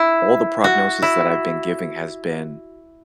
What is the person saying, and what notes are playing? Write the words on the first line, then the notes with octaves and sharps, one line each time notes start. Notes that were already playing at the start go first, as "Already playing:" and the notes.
all the prognosis that I've been giving has been
Already playing: E4
F#4
E4